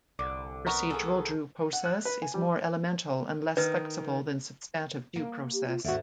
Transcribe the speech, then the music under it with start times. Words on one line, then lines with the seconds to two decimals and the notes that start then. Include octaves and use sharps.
Procedural due process is more elemental and less flexible than substantive due process.
0.19 C2 D3 D6
0.67 B3 A#4 A#5 C#6
0.90 D#3 G#4 A4
1.73 F#5
1.85 F#6
2.05 B4
2.22 G#5
2.34 G3
3.57 D#3 B4
5.16 A#3
5.54 G4
5.67 F4
5.84 D#2 G#2 D3 F#4 E5